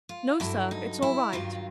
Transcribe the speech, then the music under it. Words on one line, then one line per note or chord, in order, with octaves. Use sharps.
"No, sir, it's all right."
F4
G2 D3 F#3 E4
D#4
E4
G2 D#3 F#3 F4